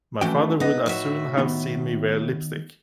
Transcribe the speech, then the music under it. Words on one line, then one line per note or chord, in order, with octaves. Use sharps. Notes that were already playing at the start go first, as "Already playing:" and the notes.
My father would as soon have seen me wear lipstick.
E3 A3 C#4 F#4 G5
B3 D#4 D#5
A2 F#4 E5
D#3 B3 D#4